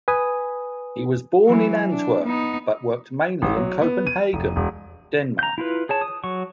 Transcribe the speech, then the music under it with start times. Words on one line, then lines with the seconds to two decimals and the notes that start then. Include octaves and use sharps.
He was born in Antwerp but worked mainly in Copenhagen, Denmark.
0.08 B4 G#5 D#6
1.45 E3 F#3
1.91 D4
2.25 B3 D#4
3.42 A1
3.57 F#3
3.82 B3
4.07 D#7
4.33 F1
4.56 E1
5.39 A#5 G6
5.58 E4 F4 B4
5.89 G#4 C#5 A5
6.01 D#6
6.24 F#3 C#6